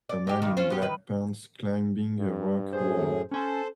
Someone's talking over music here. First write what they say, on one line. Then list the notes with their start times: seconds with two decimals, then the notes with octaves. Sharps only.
A man in black pants climbing a rock wall.
0.09 D5
0.27 D#4 G4
0.42 G2 D#3
0.57 C#4 F4 C5
0.70 B3 G4
0.82 D#3 B4
2.19 G2
2.73 F#2 A2 G#4 C5
3.31 C#4 A4 C5 G#5